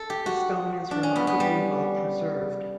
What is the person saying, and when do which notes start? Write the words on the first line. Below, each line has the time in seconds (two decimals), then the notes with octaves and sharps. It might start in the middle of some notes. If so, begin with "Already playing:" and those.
The stone is remarkably well preserved.
Already playing: A4
0.10 G4
0.26 F#4
0.91 D4
1.03 C#4
1.16 B3
1.27 B3
1.40 G3